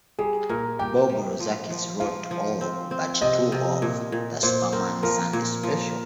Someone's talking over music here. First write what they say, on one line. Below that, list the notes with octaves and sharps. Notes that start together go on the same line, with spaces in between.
Bob Rozakis wrote all but two of "The Superman Sunday Special".
G3 G#4
A#2 A#4
G4 G5
G3
F3
F3
F3 F5
F3
C4
C4
C3 D#5
C3
A#2
A#2
A#2 C5
C4 A#4
F3 A#4
A#2
F3